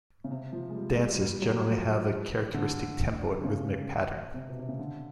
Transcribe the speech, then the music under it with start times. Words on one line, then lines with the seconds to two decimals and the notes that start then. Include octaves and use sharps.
Dances generally have a characteristic tempo and rhythmic pattern.
0.24 C#3
0.31 C3
0.53 F3
0.69 G#3
0.75 G3
0.97 G#3
1.12 F#3
1.20 G3
1.42 F#3
1.64 F3
2.54 D3
3.44 C#3
4.34 C3
4.49 B2
4.59 C3
4.69 C#3
4.79 D3